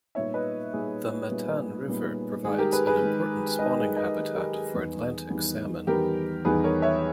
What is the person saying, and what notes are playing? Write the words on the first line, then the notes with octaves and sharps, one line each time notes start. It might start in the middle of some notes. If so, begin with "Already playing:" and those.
The Matane River provides an important spawning habitat for Atlantic salmon.
A#2 G3 B3 D#4 C#5 E5
B4 D#5
A#2 G3 B3 D#4 G#4
A#2 G3 B3 D#4
A#2 G3 B3 D#4
D#3 G#3 D#4 G#4
G4 A#4
G#4 B4
G#4 B4
D#3 G#3 D#4
D#3 G#3 D#4 B4 D#5
G#4
B4 D#5
D#3 G#3 D#4
G4 A#4
G#4
E2 D#3 G3 B3 D#4
E2 D#3 G3 B3 D#4
E2 D#3 G3 B3 D#4 G4 A#4
E2 D#3 G3 B3 D#4 G#4 B4
A#4 C#5
C#5 E5